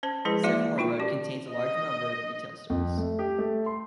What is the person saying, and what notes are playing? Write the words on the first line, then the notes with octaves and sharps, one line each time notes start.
Semaphore Road contains a large number of retail stores.
C#4 C5 A5
F3 G#3 E4 G#4 B4
A#3 E4 F#4 D5 E5
D#4 F4 G5 C#6
C#4 F#4 G4 D5
D#5
F2
A3
G4
A3
C6